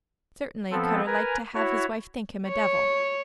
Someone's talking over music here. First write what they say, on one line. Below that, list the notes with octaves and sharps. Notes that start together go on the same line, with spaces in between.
Certainly Cutter liked to have his wife think him a devil.
F3 B3 C4 A4
A#4 B4 G#5 A#5
E4 F#4 C#5
C#5